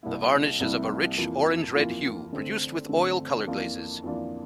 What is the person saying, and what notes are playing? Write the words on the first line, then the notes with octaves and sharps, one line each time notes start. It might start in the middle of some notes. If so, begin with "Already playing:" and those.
The varnish is of a rich orange-red hue, produced with oil color glazes.
C2 C3 G3 A#3 E4
C2 C3 G3 A#3 E4
F2 E3 A#3 F4
F2 E3 A#3 F4
D3 A3 C4
D3 A3 C4
F2 E3 A#3 D4 F4
F2 E3 A#3 D4 F4